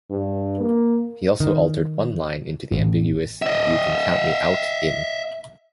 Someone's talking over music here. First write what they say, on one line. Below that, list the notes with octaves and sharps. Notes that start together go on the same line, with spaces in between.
He also altered one line into the ambiguous "you can count me out, in".
G2
A#3
D#3
A1
D#5 E5